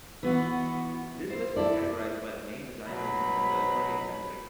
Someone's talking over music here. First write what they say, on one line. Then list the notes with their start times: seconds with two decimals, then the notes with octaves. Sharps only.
This list is categorized by the main design movements of the twentieth century.
0.23 E3 B3 F#4
1.30 C5
1.56 E4 A4 D5
2.88 B2 F#3 B5